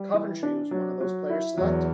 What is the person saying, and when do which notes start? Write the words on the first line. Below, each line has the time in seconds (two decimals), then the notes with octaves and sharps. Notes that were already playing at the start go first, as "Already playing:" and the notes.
Coventry was one of those players selected.
Already playing: G3
0.14 E3
0.43 D4
0.71 F#3
1.01 F#3
1.30 E4
1.57 E2 F#3